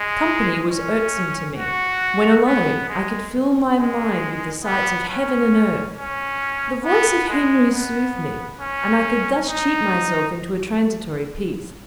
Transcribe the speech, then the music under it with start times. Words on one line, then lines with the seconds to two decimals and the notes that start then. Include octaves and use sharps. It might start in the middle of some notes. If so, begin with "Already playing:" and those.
Company was irksome to me; when alone, I could fill my mind with the sights of heaven and earth; the voice of Henry soothed me, and I could thus cheat myself into a transitory peace.
Already playing: G#3
0.69 C#4
1.57 F#4
2.45 B3
2.89 G#3
3.76 G#3
4.64 B3
5.09 C#4
5.96 C#4
6.85 B3
7.28 G#3
7.72 B3
8.60 C#4
9.48 D#4